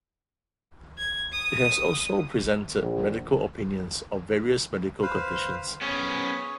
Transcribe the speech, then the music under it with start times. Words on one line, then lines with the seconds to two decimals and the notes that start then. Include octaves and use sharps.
It has also presented medical opinions of various medical conditions.
0.98 G#6
1.33 D#6
2.79 A#1
5.02 B4 C5 F5
5.81 B3 C#4 G#4 C#5